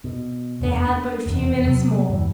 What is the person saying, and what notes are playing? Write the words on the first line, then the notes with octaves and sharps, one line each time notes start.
They had but a few minutes more.
B2
F1 E2 A3 D4
D4
F1 E2 B2
C3 F#3
E2 G2 E3